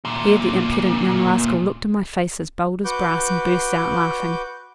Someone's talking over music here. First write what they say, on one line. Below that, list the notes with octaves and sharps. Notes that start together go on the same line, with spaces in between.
Here the impudent young rascal looked in my face as bold as brass and burst out laughing.
D2 A#2
F#4 B4 D6 G6